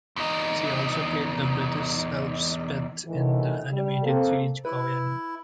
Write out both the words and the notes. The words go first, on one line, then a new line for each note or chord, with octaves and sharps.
She also played the British Elspeth in the animated series Gawyan.
E2 D#4
D2 A2 D#3 E3
G3
A#3 C4 A4
E4 B4